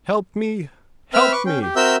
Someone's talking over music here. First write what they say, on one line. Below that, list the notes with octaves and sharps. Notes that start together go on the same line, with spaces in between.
Help me! help me!'
C4 B4 E5 B5 F6
B4 C#6 D6
C#4 G5
G4
C4 F#4 A#4 E5 E6 G6